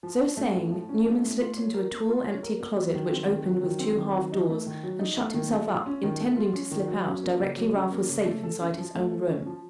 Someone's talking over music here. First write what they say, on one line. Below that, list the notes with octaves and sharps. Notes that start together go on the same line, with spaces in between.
So saying, Newman slipped into a tall empty closet which opened with two half doors, and shut himself up; intending to slip out directly Ralph was safe inside his own room.
F3
C#4
A3
A2
F3
C#4
A3
A2
F4
C#5
A#4
A#3
F4
C#5
A#4
A#3
F#3
D#3
C4
D#3
F#3
D#3
C4
D#3
F#3
D#4
A3
D#3
F#3
D#4
A3
D#3
A3
F4
C#4
D#3
A3
F4
C#4
D#3
F#3
C#4
A#3
C#3
F#3
C#4
A#3
C#3
A3
A4
C#4
F3
A3
A4
C#4
F3